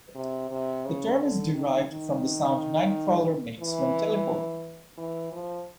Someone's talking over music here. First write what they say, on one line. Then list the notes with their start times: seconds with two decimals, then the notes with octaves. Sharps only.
The term is derived from the sound Nightcrawler makes when teleporting.
0.15 C3
0.51 C3
0.85 C#3
1.19 D3
1.54 D#3
1.89 D#3
3.60 E3
4.98 E3
5.32 F3